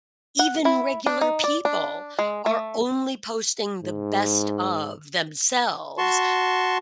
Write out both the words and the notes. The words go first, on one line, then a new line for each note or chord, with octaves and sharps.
Even regular people are only posting the best of themselves
F#5
E4
D4
D#4
D5
D4
G#3
A3
G#2
F#4 A5 C6 C#6